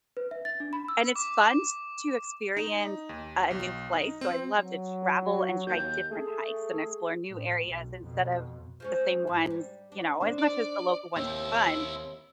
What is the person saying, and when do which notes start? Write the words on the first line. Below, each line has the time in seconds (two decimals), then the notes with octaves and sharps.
and it's fun t to experience a a new place, so I love to travel and try different hikes and explore new areas instead of the same ones, you know, as much as the local ones are fun,
0.17 B4
0.31 E5
0.45 A6
0.60 D4
0.73 B5
0.88 E6
1.16 D6
2.57 D#4
3.09 D#2
3.51 B1
3.93 D#4
4.21 C4
4.57 F#3
5.26 F#4
5.67 D#2 G6
6.11 A3 G#4
7.30 A2
7.68 B1
8.02 F2 B2
8.80 F3 G#3 C#4
9.27 G#2
9.50 G3
9.92 D4
10.21 D4 D#4 C5
10.38 D5
11.16 D#2 C4 E4 G4 E5